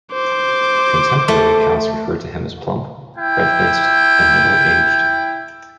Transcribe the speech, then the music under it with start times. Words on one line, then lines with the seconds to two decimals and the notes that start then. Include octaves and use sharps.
Contemporary accounts refer to him as plump, red-faced and middle aged.
0.12 C5 D6
1.28 A3
3.16 E4 G5